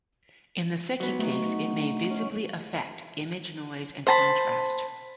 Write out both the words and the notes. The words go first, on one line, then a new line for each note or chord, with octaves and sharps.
In the second case, it may visibly affect image noise and contrast.
F#3 B3
A3 D#4 F#4 G#4
C#4
C5 A5 B5